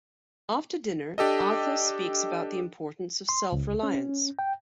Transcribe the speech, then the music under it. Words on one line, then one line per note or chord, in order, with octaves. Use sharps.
After dinner, Arthur speaks about the importance of self-reliance.
D4 G4 A4 D#5
C6
C#2
C#4
G5